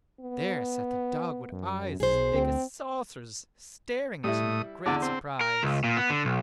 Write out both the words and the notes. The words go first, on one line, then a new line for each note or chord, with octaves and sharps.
There sat the dog with eyes as big as saucers, staring at him in great surprise.
B3
F#2
B1 G#4 C5
D2 C4
A2 G3 E4 D#6
E2 D3 D4
C4
A#4
C#2
A#2
B3
D3
B1